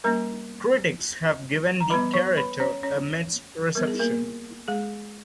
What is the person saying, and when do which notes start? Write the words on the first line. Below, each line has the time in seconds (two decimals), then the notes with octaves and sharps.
Critics have given the character a mixed reception.
0.04 G3 A#3 C#4 A#4 A#5
1.80 A#5
1.90 E3 G3 B3 B4 B5
2.13 C#5 C#6
2.37 B4 B5
2.60 C#4 C#5
2.83 C#4 C#5
3.75 G3 B3 A#4
3.87 G#4
3.99 A#3 A#4
4.68 G#3 G#4